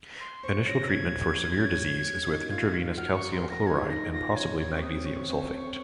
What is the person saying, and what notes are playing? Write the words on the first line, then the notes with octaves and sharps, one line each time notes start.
Initial treatment for severe disease is with intravenous calcium chloride and possibly magnesium sulfate.
C6
C5 C#6
C#4 A#6
G#6
C#4
D#4
F4
F4
F#4 F6
C#6
A#4 C6
A#6
D#4 G#6
D#4 A#6
F4 A#6
C#4 G#6
G#6
C4 C#6
D#6
C#4 C#6
C4
C#4